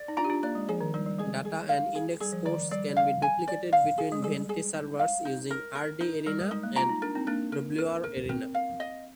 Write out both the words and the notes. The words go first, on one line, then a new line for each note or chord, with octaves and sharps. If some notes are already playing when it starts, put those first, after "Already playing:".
Data and index scores can be duplicated between Venti servers using 'rdarena' and 'wrarena'.
Already playing: D5
D#4
D4 F4 A#5
G4
D4 F4
A#3 D5
G#3
F3 G#4
D#3
G3 D#4
G3
G#3 G#4
G#4
F5
G#4
G3 G#4
F3
D#3 D5
G3 D5
F5
G#5
D5
F5
G#4
G#3
G3 G#4
G#4
D#4
F5
D#4
A#4
A#4
D#4
G3 A#4
G#3
G#3 D#4
A#3
F4 A#5
D#4
D4 A#4
C4 D#4
A#3 D4 A#4
A#4
A#4
A#4
C4 A#4
F5
D#5